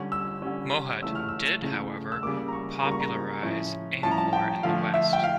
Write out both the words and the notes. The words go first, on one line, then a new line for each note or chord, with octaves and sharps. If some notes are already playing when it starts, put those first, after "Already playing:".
Mouhot did, however, popularise Angkor in the West.
Already playing: D3 G3 C#4
E6
D3 G3 C#4
C#3 E3 A3 C#4 E6
F6
E6
C#3 E3 A3 C#4
E6
C#3 G3 A#3 D6
A#5
C#6
C#3 G3 A#3 A#5
C#6
A#5
A2 F3 C#4
A2 F3 C#4 A5
A#5
A5
G5
D3 F3 A3 F5
E5
G5
F5